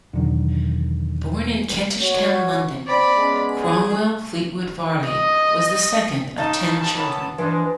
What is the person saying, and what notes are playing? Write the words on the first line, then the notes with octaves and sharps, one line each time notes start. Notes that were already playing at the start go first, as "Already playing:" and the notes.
Born in Kentish Town, London, Cromwell Fleetwood Varley was the second of ten children.
E2 B2 D3 D#3 F#3
F#4 C#5
C4 D5 B5
G#3 B3 C#4
G#4
D#5
D#2 C#3 D#4 D#5 F5 A5
E3 F#3 B3
F2 E3 F3 G#3 D4